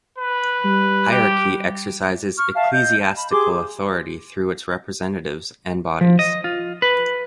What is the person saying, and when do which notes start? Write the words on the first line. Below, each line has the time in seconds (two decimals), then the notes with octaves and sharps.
Hierarchy exercises ecclesiastical authority through its representatives and bodies.
0.18 B4
0.65 G3
1.11 G4
2.37 C#6 F6
2.54 E5 F5 A5
2.72 D#5 G6
2.99 A5
3.16 B5
3.31 G4 G#4 C6 D6
6.01 F3
6.19 D#5
6.44 F4
6.82 B4